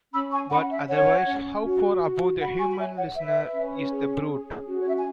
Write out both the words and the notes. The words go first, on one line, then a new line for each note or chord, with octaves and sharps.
But, otherwise, how far above the human listener is the brute!
C#4 B5 E6
G#5 C#6
C#4 F#5 B5
E5
C#4 C#5 F#5
C#4
F#4
F#4
F#4 F#5 B5
G#5 C#6
B5
C#5 E5 G#5
C#5 F#5
B4 E5
C#4
G#4
C#4
F#4
C#5
E5
G#5